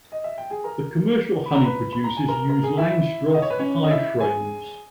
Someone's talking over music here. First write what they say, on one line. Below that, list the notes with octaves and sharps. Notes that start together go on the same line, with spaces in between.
The commercial honey producers use Langstroth hive frames.
D#5
E5
G5
G#4 G#5
A#4 A#5
B5
A#5
B4 B5
B5
A#5
G#5
A#4 A#5
A#4 A#5
G#4 G#5
E4 E5
D#5
C#5
B4
C#4 C#5
D#5
E4 E5
G#4 G#5